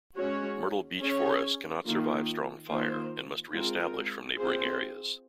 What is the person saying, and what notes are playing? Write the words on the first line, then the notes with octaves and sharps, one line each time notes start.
Myrtle beech forests cannot survive strong fire, and must re-establish from neighbouring areas.
G#3 C#4 F#4 C#5
C#4 G#4 C#5
D#3 A#3 F4
D#3 A#3 F4 C5
G#3 C4 F4 A#4
C4 F4 G#4 C5